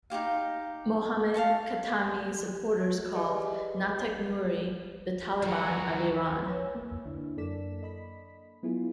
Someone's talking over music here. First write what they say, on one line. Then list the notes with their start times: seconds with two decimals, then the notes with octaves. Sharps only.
Mohammad Khatami's supporters called Nateq-Nouri the "Taliban" of Iran.
0.10 D#4 E4 G4 F5
1.34 F5 F#5 A5 C#6
3.13 G4 G#4 B4 D5 D#5
5.42 D#3 F3 F#3 F#4 A#4
6.44 B4 C#5 G#5 E6
6.75 A#3
7.05 D3 D4 E4
7.37 F#2 A#3 A4 D5 B6 E7
7.83 D#5 B5 B6
8.63 F#3 B3 E4 F4 G#4